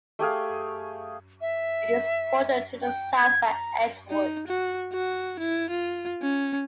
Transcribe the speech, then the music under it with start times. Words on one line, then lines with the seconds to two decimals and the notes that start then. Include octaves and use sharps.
It is bordered to the south by Edgewood.
0.19 A3 G4 G#4 F5
1.41 E5
2.82 G5
3.17 G#6
3.43 A#5
4.10 D#4
4.47 F#4
4.92 F#4
5.39 E4
5.70 F4
6.22 C#4